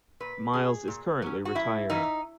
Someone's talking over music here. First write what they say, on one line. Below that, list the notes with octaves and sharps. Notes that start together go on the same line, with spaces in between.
Miles is currently retired.
A#2 B4
F#3 C#4 G#4
A#2
F#3 C#4
F#4
F#2 E4
E3 A#3 C#4 D#4